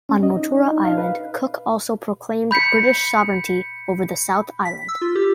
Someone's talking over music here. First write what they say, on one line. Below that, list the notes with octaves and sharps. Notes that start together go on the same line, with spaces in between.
On Motuara Island, Cook also proclaimed British sovereignty over the South Island.
C#4
D#5
D#4
D4
D#4
F5
B4
B5 G6 B6 C#7
B6
E6
F4
G4